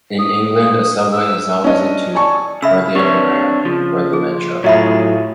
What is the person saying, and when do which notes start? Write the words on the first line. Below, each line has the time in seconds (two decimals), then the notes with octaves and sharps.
In England, a subway is always a tube, or the underground, or the Metro.
0.18 D#6
1.11 E6
1.64 C#4 D4 D#5
2.15 D5 G#5 A5 C#6
2.62 C#3 E5 B5 E6
2.95 C4 D4 G4 B4 C#5
3.65 C#3 F3
4.13 G#4
4.64 A2 F#3 F4 G#4 C#5 E5 B5